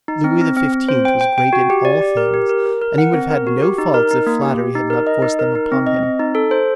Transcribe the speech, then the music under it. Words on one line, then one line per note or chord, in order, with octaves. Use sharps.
Louis XV. was great in all things, and he would have had no faults if flattery had not forced them upon him.
D#4
C4
C4
C4
C4
C5
G5
G5
G5
F#4
G4
D5
G4
A#4
G4
A#4
A#4
A#4
F#5
C4
A#4
F#4
G4
D#4
A#4
D#4
A#3
G4
G4
D#4
A#4
D#5
D#4
A#4
D#4
C4
D#5
C4
D#4
A4
C5